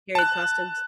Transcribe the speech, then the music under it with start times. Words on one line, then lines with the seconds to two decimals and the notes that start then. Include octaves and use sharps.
period costumes?
0.15 A5 F#6